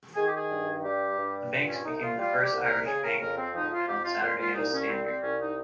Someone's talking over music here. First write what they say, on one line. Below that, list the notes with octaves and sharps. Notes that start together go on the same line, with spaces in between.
The banks became the first Irish bank to open on Saturday as standard.
D#3 G#4
G4
G#4
G2
G3 G4
G2
A#2
C#4
C2 D#4
F4
G3 F4
G4
C2
A#4
C#3 G#4
A#4
F2 A#4
C4
F3 D#4
F4
F2 G4
F4
A#2 F4
F4
C2 D#4
C#4
G3 C4
C4
C2 C#4
D#4